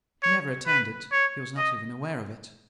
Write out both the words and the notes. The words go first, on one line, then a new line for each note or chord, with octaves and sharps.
He never returned it--he was not even aware of it.
C#5
B4
C#5
D#5